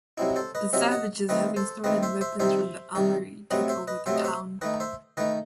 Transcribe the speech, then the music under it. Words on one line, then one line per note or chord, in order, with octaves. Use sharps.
The Savages, having stolen weapons from the Armory, take over the town.
C3 F#3 C4 D#4 E4
A4 C5
B4 D#5
C3 F#3 C4 D#4 C5 E5
D#5 F#5
D#3 A3 C4 B4 D#5
A4 C5
D#3 A3 C4 B4 D#5
C5 E5
C5 E5
C3 D#3 G3 D#4 C5 E5
C3 D#3 G3 D#4
C3 F#3 A3 C4 B4 D#5
C5 E5
B4 D#5
C3 F#3 A3 C4 C5 E5
D#5
C5 E5
D#3 A3 D#4 B4 D#5
C5 E5
D#3 A3 D#4 B4 D#5